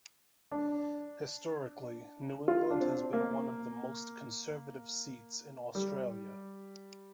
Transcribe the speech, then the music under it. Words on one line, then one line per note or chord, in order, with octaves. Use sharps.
Historically, New England has been one of the most conservative seats in Australia.
D4
F4
D4
C4
A#3
G3